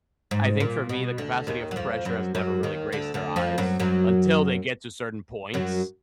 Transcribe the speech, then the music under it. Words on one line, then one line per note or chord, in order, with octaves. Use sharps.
I think for me, the capacity of pressure has never really graced their eyes, until they get to certain points,
G#2
A#2
B2
D2 D3
D#2 D#3
F#3
F2 F3
F#2 F#3
F#2 F#3
D#2 D#3
D2 D3
D2 D3
F2 F3
F#2 F#3
F#2 F#3
F#2 F#3